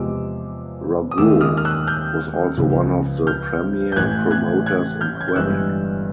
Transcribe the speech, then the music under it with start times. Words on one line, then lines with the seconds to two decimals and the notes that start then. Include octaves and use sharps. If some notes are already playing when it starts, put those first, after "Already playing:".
Rougeau was also one of the premier promoters in Quebec.
Already playing: E2 C3 F3 G#3 D6 E6
1.11 D#6
1.17 D#2 D#3 G#3 D6 E6
1.41 D#6 F6
1.57 F6
1.65 E6 F#6
1.87 F6 G6
2.57 C#2 C#3 F3
3.27 F6 G6
3.92 G6
3.96 A1 A2 E3 A3 F#6 G#6
4.31 F#6 G#6
4.66 F#6 G#6
5.01 F6 G6
5.21 G#6
5.28 G6
5.35 G1 G2 E3 G#3 E6 F#6